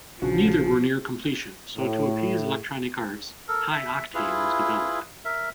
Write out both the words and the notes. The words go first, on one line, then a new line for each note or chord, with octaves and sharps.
Neither were near completion, so to appease Electronic Arts, "Hi-Octane" was developed.
A#1 C#3 F3 D4 F#4
A2
A4 A#4
E5
E4 F4 G#4 B4
A#4 E5